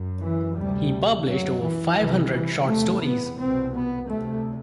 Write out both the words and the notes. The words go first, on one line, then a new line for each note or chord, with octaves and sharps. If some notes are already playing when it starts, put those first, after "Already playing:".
He published over five hundred short stories.
Already playing: F#2
E3
D2 C3 G3
F#2 F#3
E3
C2 C3 E3
E3
E2 C3 A3
B3
C2 B2 C4
B3
D2 C3 A3